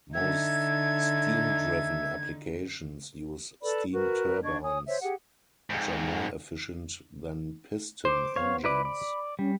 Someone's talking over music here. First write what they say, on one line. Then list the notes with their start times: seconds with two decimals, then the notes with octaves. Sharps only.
Most steam-driven applications use steam turbines, which are more efficient than piston engines.
0.14 D3 D#4 E5 G#6
3.62 A4 B4 D5 B5
3.93 F#4 A#4 B4
4.43 D4 D#5 C#6 G#6
4.62 C#5 G#5 D#6
4.86 C5 C#5 E5
5.02 G4 G#4 F#5
5.70 F2 G#2
8.05 C5 D6
8.36 B3 C#5 F5
8.64 E4 B4 D5 B5
8.85 D5
9.39 G3 C#4